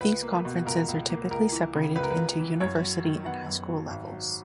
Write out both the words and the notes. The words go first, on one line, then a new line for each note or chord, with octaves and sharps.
These conferences are typically separated into university and high school levels.
C#2 B4
A#3
B2
C#2 A#4
C#2
A#3
C#2 A#4
E3
C#3
C#2 B4
A#4
B4
C#2
E3
F#2 C#5
F#3
D#3
B3 F#5
F#2
F#3
G#1
F#3